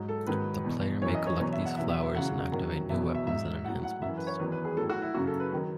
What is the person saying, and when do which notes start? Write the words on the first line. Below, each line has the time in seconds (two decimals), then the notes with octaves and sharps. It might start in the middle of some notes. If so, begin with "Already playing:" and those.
The player may collect these flowers and activate new weapons and enhancements.
Already playing: G#2 F#3
0.09 A4
0.27 G#2 D#3 F#3 B4
0.64 E2 B2 F#3
1.02 F#2 E3 C#5
1.15 D#5
1.27 C#5
1.39 E2 B2 F#3 C#5
1.52 E5
1.65 F#5
1.77 E2 B2 F#3 E5
1.90 E5
2.02 E5
2.15 E2 C#3 F#3 F#5
2.52 F#2 D#3 F#3
2.89 E2 B2 F#3 E5
3.15 E5
3.27 G#2 F#3 E5
3.64 A2 F#3 F#5
3.84 F#5
4.02 F#2 E3 E5
4.17 B4
4.27 C#5
4.39 E2 D#3 F#3 B4
4.52 B4
4.65 G#4
4.77 A2 F#3 A4
4.90 F#4
5.02 E4
5.14 F#2 C#3 F#3 F#4
5.27 A4
5.40 B4
5.52 D#3 F#3